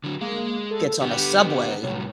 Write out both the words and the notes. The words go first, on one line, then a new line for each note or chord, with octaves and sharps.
gets on a subway
D3 F#3
G#3 A#3
A4
D3 B3 G4
C2 A2 F#3